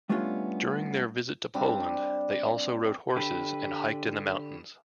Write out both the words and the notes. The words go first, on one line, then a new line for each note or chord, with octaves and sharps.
During their visit to Poland, they also rode horses and hiked in the mountains.
G3 A3 B3 C#4 D4 F4
G3 C4 D4 G4
D3 G4 B4